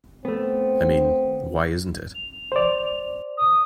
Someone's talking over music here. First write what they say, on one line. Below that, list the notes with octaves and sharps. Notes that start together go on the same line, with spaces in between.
I mean, why isn't it?
A3 B3 C4
F7
C5 D5
D#6